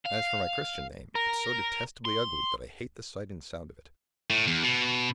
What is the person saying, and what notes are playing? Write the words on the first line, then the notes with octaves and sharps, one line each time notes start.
As for my Christian name, it's so detestably ugly that I hate the sight and sound of it.
F5
A#4
C6
A2
E2
B2